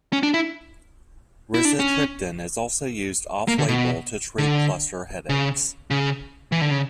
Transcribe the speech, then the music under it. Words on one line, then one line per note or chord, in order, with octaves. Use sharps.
Rizatriptan is also used off-label to treat cluster headaches.
C#4
D4
E4
E4
D4
C#4
A#3
D3
B2
D3
C#3
C#3
E3
D3
C#3